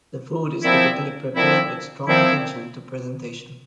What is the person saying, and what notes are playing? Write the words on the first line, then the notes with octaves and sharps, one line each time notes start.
The food is typically prepared with strong attention to presentation.
A#2 F3 C4 E4
A#2 F3 C4 E4
A#2 F3 C4 E4